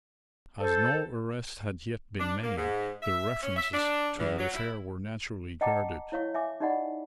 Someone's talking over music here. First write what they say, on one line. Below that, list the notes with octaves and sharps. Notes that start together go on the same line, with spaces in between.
As no arrest had yet been made the references to the affair were naturally guarded.
A4 C5
D4
A#3
G#2
E5
C#4
E5
D4
E2
F#3
E4
D#5 F#5 G5 A5 A#5 D6
E4 C#5 F5 C#6
E5 G#5 D6
D#4 G4 D5 D#5 F#5 B5